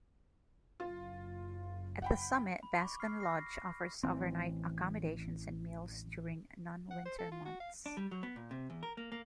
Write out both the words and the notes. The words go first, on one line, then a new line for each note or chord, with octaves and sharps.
At the summit, Bascom Lodge offers overnight accommodations and meals during non-winter months.
F#1 F4
F#5 G5 B5
B5
B5 C#6 D6
F6 C7
A#6 C7
A1 E3 C4
F#5
C5
A4
F4
F#4
F5
D4
G3
F#3
B3
A#2
C3
E2
A#4
A#3
A#3